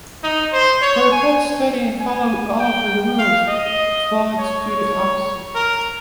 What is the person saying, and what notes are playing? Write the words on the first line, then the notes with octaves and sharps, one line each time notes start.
Where pets study and follow all of the rules, clods do the opposite.
D#4
C5
C#5
G#5
G#5
G5
F5
D#5
C#5
C#5
A#4